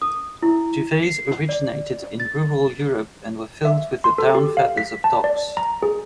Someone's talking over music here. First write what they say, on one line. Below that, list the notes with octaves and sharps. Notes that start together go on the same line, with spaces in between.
Duvets originated in rural Europe and were filled with the down feathers of ducks.
D#6
E4
C7
D5
A6
E5
C6
A4
G4
F5
B6
A5
D5
A#5
G#4